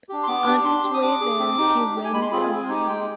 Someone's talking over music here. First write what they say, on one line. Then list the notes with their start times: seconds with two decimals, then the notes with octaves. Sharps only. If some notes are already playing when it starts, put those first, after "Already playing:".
On his way there, he rends a lion.
0.09 D4 G4
0.23 C6
0.27 B3 D6
0.47 D4 G4
0.65 D4 C6
0.84 G4
0.94 D#6
1.02 D4 D6
1.20 G#4
1.39 C4
1.58 D#4 G4
1.76 D4
1.95 G4
2.04 G#5
2.13 G#3 B5
2.22 C6
2.32 C4 F4 G#4 B5
2.41 G#5
2.51 C4
2.69 D#4 G4
2.87 G#3 G5